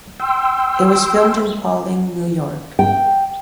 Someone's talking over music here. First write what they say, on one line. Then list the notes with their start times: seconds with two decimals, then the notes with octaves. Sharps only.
It was filmed in Pawling, New York.
0.20 G5 C6 E6
2.79 G5